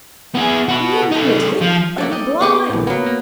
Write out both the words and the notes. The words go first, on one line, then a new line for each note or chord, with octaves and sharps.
Here, lunatic! Are you blind?
B3 G#4
F#4 B4
D#4 A4
F3
F#3 A3 A#3 A4 D5
D#5 G5
B3 G#4 D#5 C#6 D6
A#1 A2
F#3 A#3 B3
A#3